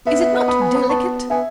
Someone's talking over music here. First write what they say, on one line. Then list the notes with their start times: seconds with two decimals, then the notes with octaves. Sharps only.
Is it not delicate?
0.06 B3 E5
0.21 E5
0.33 D#5 F#5
0.48 B5 D#6
0.61 G#5 B5
0.75 B5 D#6
0.89 B3 A5 C#6
1.30 B3 E5 G#5